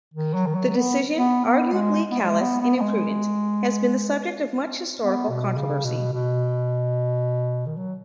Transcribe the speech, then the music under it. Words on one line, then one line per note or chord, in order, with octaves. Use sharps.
The decision, arguably callous and imprudent, has been the subject of much historical controversy.
D#3
F#3
D#3
F#3
B3
B3
B3
G#3
B3
G#3
B3
B3
B3
G#3
B3
B2
C#3
B2
B2
D#3
F#3